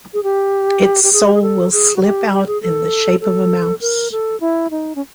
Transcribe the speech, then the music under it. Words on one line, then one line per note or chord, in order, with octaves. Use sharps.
Its soul will slip out in the shape of a mouse.
G#4
G4
G4
G#4
G4
G#4
A4
G#4
F#4
G4
G4
G#4
A4
A4
A#4
A4
E4
D#4
C#4